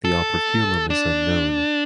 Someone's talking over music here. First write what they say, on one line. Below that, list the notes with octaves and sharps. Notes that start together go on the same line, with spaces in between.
The operculum is unknown.
A4
D4